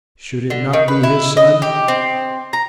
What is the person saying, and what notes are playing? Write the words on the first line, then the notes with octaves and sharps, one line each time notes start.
Should it not be his son?
D3
D#3
B4
E4
D#5
G4
C4
A#5